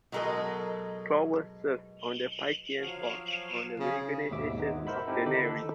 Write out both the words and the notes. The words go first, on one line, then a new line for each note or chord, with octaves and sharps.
Clover served on the Phythian Board on the reorganization of the Navy.
B2 F#3 G#3 A4 A#4 D#5
F3 F#3 F5
C#3 F3 G#4
D#2 G#2 B2 E5 D6
G#3 B3 D#4
A#4 C5 E5 F#5 B5
C4 D#4 E4 G4 A4
D3 D#3 D#4 B5 D6
A4